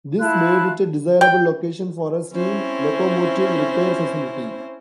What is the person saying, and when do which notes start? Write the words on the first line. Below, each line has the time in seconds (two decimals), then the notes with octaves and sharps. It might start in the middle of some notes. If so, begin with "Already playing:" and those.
This made it a desirable location for a steam locomotive repair facility.
0.21 E4 F4 A5 F#6
1.21 G5
2.35 C4 C#4 E4 C5